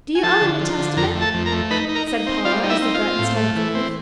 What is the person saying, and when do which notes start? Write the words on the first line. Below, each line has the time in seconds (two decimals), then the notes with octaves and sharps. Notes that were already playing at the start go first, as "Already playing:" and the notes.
"Do you own a New Testament?" said Paula as the Breton started to leave.
0.15 G#5
0.23 F3 A4 A5
0.41 D3
0.61 F3
0.78 D3
0.96 F2 A#4 A#5
1.15 A3
1.21 A4 A5
1.34 F2
1.46 A#4 A#5
1.52 A3
1.70 D#4 B4 B5
1.89 D#4
1.95 A#4 A#5
2.08 D#4
2.27 C4
2.45 G3 F4 F5
2.63 D#4
2.70 E4 E5
2.82 C4
2.94 F4 F5
3.01 C4
3.19 A2
3.37 A3
3.56 E3
3.75 C4